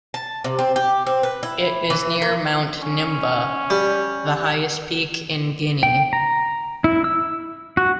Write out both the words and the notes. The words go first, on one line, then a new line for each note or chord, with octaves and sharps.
It is near Mount Nimba, the highest peak in Guinea.
A5
C3
C4
G4
C4
B4
E4
E3
A#3
C#4
G3
G5
A#5
E4
E6
F#4